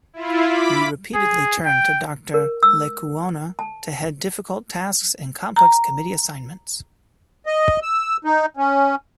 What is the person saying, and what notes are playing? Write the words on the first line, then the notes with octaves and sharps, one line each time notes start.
We repeatedly turned to Dr. Lecuona to head difficult tasks and complex committee assignments.
E4 F4
B5 D6 B6
G#4
G5
A#4
E6
A5
A#5
D#5
E6
D#4
C#4